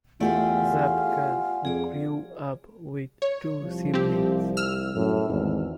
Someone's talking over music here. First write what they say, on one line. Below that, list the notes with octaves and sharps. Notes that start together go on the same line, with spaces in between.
Zabka grew up with two siblings.
E2 A3 F4 G4 G#4 D5 F#5 G#5
F2 G#4 D5
C#5
C2 F3
C4 G4
E6 F6
F#2 A2
G#1 E2